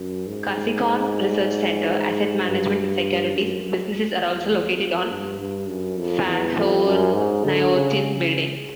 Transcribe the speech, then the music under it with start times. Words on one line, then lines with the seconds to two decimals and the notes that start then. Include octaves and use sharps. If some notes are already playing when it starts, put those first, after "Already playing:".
Kasikorn Research Center, Asset Management and Securities businesses are also located on Phahonyothin building.
Already playing: F#2
0.27 G#2
2.47 G2
3.34 F#2
4.23 E2
4.67 F2
5.10 G2
5.39 G2
5.68 F#2
5.98 F2
6.26 E2
6.56 F2
6.85 F#2
7.14 G#2
7.44 D3
7.73 C#3